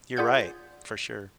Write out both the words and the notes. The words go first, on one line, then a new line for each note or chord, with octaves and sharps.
you're right. For sure.
F4 G#4 D5 F#5 G6 G#6